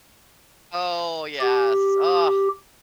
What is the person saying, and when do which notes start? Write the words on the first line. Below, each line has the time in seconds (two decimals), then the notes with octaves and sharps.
Oh, yes, ugh.
1.41 G4